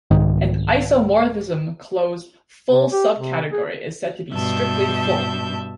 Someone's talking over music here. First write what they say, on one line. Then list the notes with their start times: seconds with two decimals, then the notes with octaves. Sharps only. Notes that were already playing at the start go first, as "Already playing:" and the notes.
An isomorphism-closed full subcategory is said to be strictly full.
0.11 C2 G#2 D#3
2.71 C3
2.92 G4
3.16 C3
3.52 G#4
4.33 G2 B2 E5 A5 G6